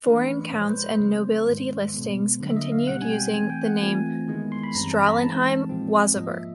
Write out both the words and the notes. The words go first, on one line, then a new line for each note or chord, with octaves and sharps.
Foreign counts and nobility listings continued using the name Stralenheim-Wasaburg.
E3 A3 D4 B4
A#2 F3 G#3 C#5
C5
B4
C5
C#3 F#3 A3 C4
G#2 D#3 G#3
B2 G#3 B3
D3 F#3 A#3
E5
D#5
F5
B2 G3 C4 F#5
G#5
G5
E3 A3 C4 G#5
G5
F#5
E3 A3 C4 F4 G#5
D#3 G#3 B3 E4
C6
B5
G2 E3 G3 C4 A#5
A5
A#5
B5
E3 G#3 C4 D#4 A5
A#2 F3 G#3 C4 F4
G#2 F3 A#3 D#5
E5